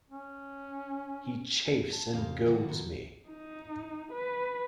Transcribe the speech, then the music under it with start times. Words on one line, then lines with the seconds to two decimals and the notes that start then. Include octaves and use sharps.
He chafes and goads me!
0.10 C#4
1.93 A5
2.13 F2 C#3 G4 C5 F5
2.45 G2 D3 E3 A3 B3 F#4
2.69 B2 F3 F#3
3.29 D#4
4.12 B4